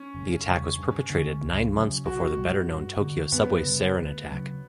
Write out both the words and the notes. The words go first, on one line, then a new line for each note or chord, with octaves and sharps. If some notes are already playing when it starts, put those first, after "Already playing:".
The attack was perpetrated nine months before the better known Tokyo subway sarin attack.
Already playing: C#4
F#1
E2 C#3 G3
G2
D3 A#3
C#2
C#3 F#3
B1 F#4
B2 G3 A#3
G2
D3 A#3
F#2 B3
C#3 G3
D2
C#3 F#3 C#4